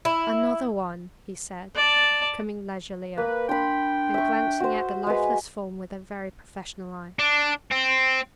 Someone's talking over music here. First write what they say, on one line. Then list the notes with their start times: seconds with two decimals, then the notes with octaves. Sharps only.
"Another one!" he said, coming leisurely up, and glancing at the lifeless form with a very professional eye.
0.05 E4
1.76 D5 A5
3.18 A#3 B4
3.49 D4 G5 B5 C6
4.14 E5 C#6
4.60 F#4 C5
5.07 G#3 B4
7.19 D4
7.71 C4